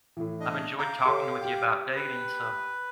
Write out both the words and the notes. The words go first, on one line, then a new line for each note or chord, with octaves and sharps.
I've enjoyed talking with you about dating, so
A2 E3
D4 D#5
F5 A#5 D6 G6
G4 A4 C#5
G4 G5
B4